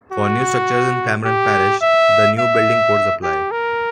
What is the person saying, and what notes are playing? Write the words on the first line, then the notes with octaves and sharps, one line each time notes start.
For new structures in Cameron Parish, the new building codes apply.
F#4
G4
E5
E5
G4
A#4